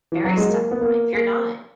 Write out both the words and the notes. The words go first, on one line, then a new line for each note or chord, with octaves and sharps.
very stuck in life. You're not.
E3
F#3
G#3
A#3
B3
A#3
A#3